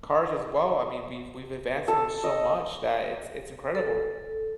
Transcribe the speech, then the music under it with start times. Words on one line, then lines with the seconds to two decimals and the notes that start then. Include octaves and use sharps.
cars, as well, I mean, we've we've advanced them so much that it's it's incredible.
1.88 A4
2.24 D#5
3.75 A4